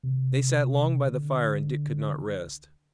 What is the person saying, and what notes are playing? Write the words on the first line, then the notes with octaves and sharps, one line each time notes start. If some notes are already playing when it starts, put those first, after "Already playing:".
They sat long by the fire and Dick could not rest.
C3
D3